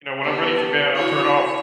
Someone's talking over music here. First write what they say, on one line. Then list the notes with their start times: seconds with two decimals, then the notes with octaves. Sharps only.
you know, when I'm ready for bed, I'll turn off
0.23 B3 G4 A5
0.95 E4 F#4 C#5